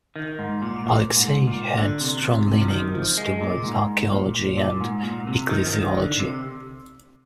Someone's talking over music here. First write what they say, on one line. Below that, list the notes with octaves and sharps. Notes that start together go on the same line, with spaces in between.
Alexei had strong leanings towards archaeology and ecclesiology.
D#3
G#2
A#2
A#2
G#2
A#2
D3
C3
C3
C3
F3
D#3
F3
G#3
A#2
G#2
A#2
A#2
G#2
A#2
C3
D#3
F3
D#3
D3
C3